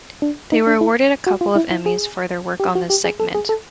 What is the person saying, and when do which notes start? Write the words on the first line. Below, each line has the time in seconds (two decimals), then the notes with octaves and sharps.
They were awarded a couple of Emmys for their work on this segment.
0.22 D4
0.52 D#4
0.67 D4
0.81 E4
1.27 F#4
1.41 F4
1.56 E4
1.71 E4
1.86 G#4
2.60 G4
2.75 F#4
2.90 G4
3.04 G#4
3.20 A4
3.35 G#4
3.49 A4